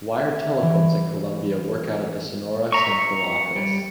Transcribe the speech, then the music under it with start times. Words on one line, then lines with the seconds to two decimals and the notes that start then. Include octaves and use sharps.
Wired telephones in Columbia work out of the Sonora central office.
0.18 E5
0.62 E3
2.72 E5 A#5 C#6 C#7
3.56 G3